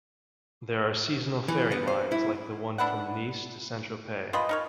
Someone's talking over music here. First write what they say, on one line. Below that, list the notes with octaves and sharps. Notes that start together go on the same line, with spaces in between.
There are seasonal ferry lines like the one from Nice to Saint-Tropez.
E3
B3
C5
E4
D4 E4 B4 F#5
F4 G#4 B4 D#5
D#4 A#4 C#5